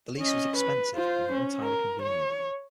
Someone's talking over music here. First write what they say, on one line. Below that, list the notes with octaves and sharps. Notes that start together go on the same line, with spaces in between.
The lease was expensive and not entirely convenient.
C#4 D#5
B4
F4 C5
C#4
A#4
C#5